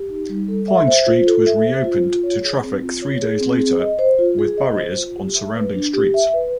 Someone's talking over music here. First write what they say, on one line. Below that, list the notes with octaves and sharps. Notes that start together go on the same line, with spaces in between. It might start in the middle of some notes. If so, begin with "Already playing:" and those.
Pine Street was reopened to traffic three days later with barriers on surrounding streets.
Already playing: G4
D#4
G3
A4
E5
C5
F4
A4
E5
C5
F4
F4
C#5
G#4
C4
F4
C#5
G#4
C4
G#4
D#5
C5
F4
G#4
D#5
C5
F4
G4
E5
B4
D4
G4
E5
B4